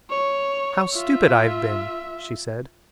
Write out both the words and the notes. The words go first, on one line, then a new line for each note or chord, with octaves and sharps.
"How stupid I have been," she said.
C#5
F4 E5